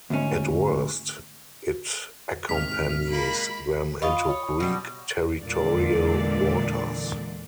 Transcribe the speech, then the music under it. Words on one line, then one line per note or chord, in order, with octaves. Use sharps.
At worst, it accompanies them into Greek territorial waters.
D2 G#2 C#4
G#2 C3 D#3 F6 B6
G#3 A#3 B5
F4 D#5 B5 C#6 D#6
C#5
B2 G3
E2 A#2 D3 G#3 D5